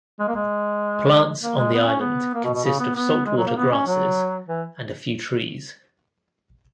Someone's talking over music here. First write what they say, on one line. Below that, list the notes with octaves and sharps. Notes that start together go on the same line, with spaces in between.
Plants on the island consist of salt-water grasses and a few trees.
G#3
A#3
G#3
A#3
G#3
B3
C#4
B3
A#3
B2
B2
C#3
B3
B3
G#3
F#3
A#3
B3
C#4
F#3
E3